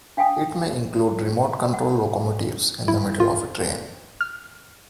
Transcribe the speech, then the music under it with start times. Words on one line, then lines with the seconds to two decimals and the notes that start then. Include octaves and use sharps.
It may include remote control locomotives in the middle of a train.
0.17 D4 F5 G5 G#5 D#6
1.74 F#5
2.88 E4
3.20 F4
4.21 F6